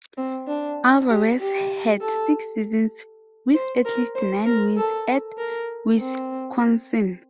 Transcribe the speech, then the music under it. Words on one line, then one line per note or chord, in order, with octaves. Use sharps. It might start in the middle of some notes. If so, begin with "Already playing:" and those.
Alvarez had six seasons with at least nine wins at Wisconsin.
C4
D4
G4
G4
A4
C5
A#4
C5
A#4
A4
A#4
C4